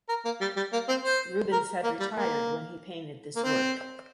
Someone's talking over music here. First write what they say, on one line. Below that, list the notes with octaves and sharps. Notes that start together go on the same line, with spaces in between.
Rubens had retired when he painted this work.
A#4
A#3
G3
G3
A#3
C4
C5
A#4
A#3
G3
A#3
A#3
C4